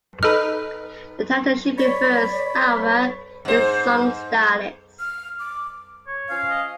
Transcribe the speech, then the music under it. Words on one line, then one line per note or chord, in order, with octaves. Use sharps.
The title she prefers, however, is "song stylist".
D#4 A4 B4 F6
C#5 D5 B5
G#2 C5
F6
D6
C#5
F3 C#4 F5
D#5